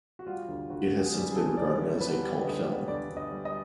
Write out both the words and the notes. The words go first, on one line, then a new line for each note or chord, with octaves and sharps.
It has since been regarded as a cult film.
F#4
G3 F4
D2
D2 F#4
B3
G#4
G3 G4
G#4
D2 A4
D2 D5
G3 C#5
B3 B4
G3
D2 D#5
G3
D2 D5
D2
D#5
G3
D#5